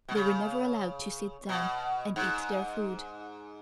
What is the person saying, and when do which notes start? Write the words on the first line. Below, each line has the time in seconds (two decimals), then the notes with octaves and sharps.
They were never allowed to sit down and eat their food.
0.09 B2
0.15 C#3
1.49 B2
2.16 G#2